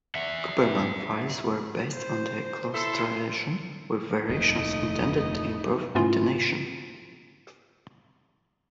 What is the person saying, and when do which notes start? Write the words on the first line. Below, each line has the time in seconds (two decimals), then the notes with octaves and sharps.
Cooperman fifes were based on the Cloos tradition, with variations intended to improve intonation.
0.15 E5 F#5
1.92 C5
2.74 E4 A4 C6
4.29 F1 D#2 A3 D#4 E4 D#5
5.95 G#2 A3 B3 C#4 E4 F4